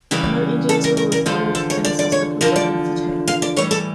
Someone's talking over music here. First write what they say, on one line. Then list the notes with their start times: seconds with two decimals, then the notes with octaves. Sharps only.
No injuries were reported, and a suspect was later detained.
0.11 E2 C#3 E3 G3 G4
0.69 A4
0.84 A#4
0.97 A#4
1.12 A#4
1.26 E2 D3 F3 A4
1.55 A4
1.70 C#5
1.85 D5
1.99 D5
2.12 C#5
2.41 E2 D3 F3 A#4
2.56 D5
3.28 F5
3.42 D5
3.56 A2 E3 G3 C#5
3.71 A4